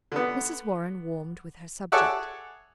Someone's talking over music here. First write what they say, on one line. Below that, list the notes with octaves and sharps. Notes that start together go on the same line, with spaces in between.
Mrs. Warren warmed with her subject.
D3 B3
G#4 A4 C#5 D5 E5 F#5